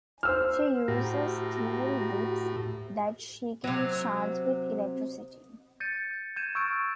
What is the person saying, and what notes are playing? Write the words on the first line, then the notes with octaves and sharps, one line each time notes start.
She uses steel whips that she can charge with electricity.
C5 E6 F6
A2 F#4 G4 A#5
C3 F#3
G6 A6 C#7 D#7
G6 G#6 D#7 E7
C#6 E6 F6 G6 A6 D7